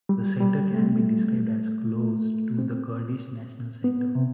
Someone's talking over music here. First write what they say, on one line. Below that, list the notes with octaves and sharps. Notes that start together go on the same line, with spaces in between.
The center can be described as close to the Kurdish National Center.
G3
G3
A3
A3
C4
B3
C3